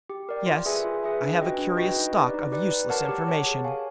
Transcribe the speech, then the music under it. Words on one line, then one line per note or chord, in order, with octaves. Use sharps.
"Yes, I have a curious stock of useless information."
G4
A#4 D5 G5
F4
G#4 B4 E5 G#5
F4
G#4 B4 E5 G#5
D4
F#4 B4 D#5 G5
D4
F#4 B4 D#5 G5
D#4
G4 B4 D5
D#4
G4 B4 D5
G4
A#4 C#5 F#5 A5
G4
A#4 C#5 F#5 A5
G#4
C#5 F5 G#5